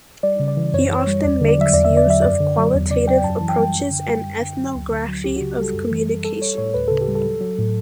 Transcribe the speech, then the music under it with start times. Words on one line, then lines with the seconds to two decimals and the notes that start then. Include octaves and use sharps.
He often makes use of qualitative approaches and Ethnography of Communication.
0.23 G3 D5
0.39 C#3
0.48 D5
0.57 E3
0.73 F#2 C#5
0.91 E3
0.99 C#5
1.07 G3
1.23 E2 D5
1.41 D3
1.48 D5
1.57 F#3 E5
1.73 E2 D5
1.85 E5
1.90 D3
1.97 D5
2.07 F#3 E5
2.22 F#2 D5
2.40 D3
2.58 F#3
2.74 E2
2.90 C#3 D5
3.07 F#3 G5
3.24 F#2 A5
3.41 E3
3.48 G5
3.57 G3
3.74 F#2
3.91 D3
4.08 G3
4.24 F#2
4.40 D3
4.57 F#3
4.74 D2
4.91 D3
5.08 F#3
5.24 C#2 G4
5.36 C#3 F#4
5.57 G3 A4
5.74 F#2
5.91 E3
6.07 G3
6.24 G3 A4
6.41 G3 C#5
6.58 A2 C#5
6.74 D2 B4
6.88 C#3 A4
7.01 G4
7.08 G3
7.15 A4
7.25 F#3
7.41 F#3
7.58 A2